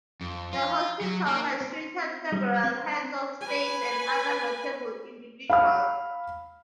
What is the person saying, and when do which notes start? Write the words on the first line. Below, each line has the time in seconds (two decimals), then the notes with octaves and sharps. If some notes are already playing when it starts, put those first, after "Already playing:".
The hospital has treated several heads of state and other notable individuals.
0.21 F2
0.53 F4
1.01 F#3
1.27 A#3
1.61 C4
2.32 G3
2.64 C4
3.42 B4 G#5
5.50 F5 B5 F6